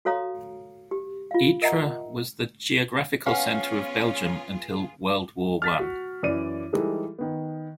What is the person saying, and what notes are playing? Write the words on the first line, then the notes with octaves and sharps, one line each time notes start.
Ittre was the geographical center of Belgium until World War One.
F#4 A4 C#5 F5 A#5 D#6
G4
F4 F5
A#4 D#5 E5 F#5 A#5
B3 C#4 F4 G#4 B4 F5 F#5 G#5
F6 A6 B6
F#4
F#2 E3 D5 D#7
E3 G3 G#3 D#4 G#4 A4
D#3 B3